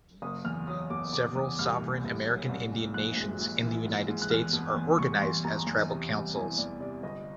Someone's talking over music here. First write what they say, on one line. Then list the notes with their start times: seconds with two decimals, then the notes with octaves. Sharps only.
Several sovereign American Indian Nations in the United States are organized as Tribal Councils.
0.22 F#1 D#6
0.45 E2 F6
0.67 F#3 D#6
0.90 B2 D6
1.13 F#1 D6
1.35 E2 D#6
1.59 C2 F6
1.81 A#2
2.04 C2
2.27 F#3
2.49 C2
2.72 A#2
2.94 A#1 F#6
3.17 G#2
3.40 A#1
3.63 E3
3.86 A#1
4.08 G#2
4.22 F#6
4.30 E2 F6
4.53 B2
4.76 E2
4.99 G3 C#6
5.21 E2 C6
5.44 B2 A#5
5.67 E2
5.90 C3
6.12 G3
6.35 E3 G#5
6.58 E2 D5
6.80 C3 D5
7.03 G1 D#5